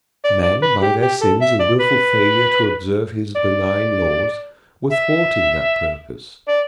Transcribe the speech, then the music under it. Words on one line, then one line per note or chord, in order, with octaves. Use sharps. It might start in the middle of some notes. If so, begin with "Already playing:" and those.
Men by their sins and wilful failure to observe his benign laws were thwarting that purpose.
D5
D5
B4
G4
G4
A4
E5
D5
B4
D5
E5
D5